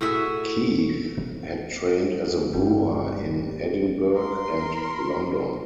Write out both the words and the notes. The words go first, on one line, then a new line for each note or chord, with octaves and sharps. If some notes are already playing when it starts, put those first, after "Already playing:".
Keith had trained as a brewer in Edinburgh and London.
A2 F#4 G#4 E5
G1 G3
A#4 C6